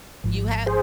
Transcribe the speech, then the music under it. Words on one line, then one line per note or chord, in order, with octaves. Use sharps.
You ha
G#1 G#2 F3
G#4 C5